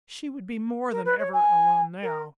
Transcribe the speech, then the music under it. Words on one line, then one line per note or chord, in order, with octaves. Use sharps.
She would be more than ever alone now.
A#4
B4
C#5
G#5
A#4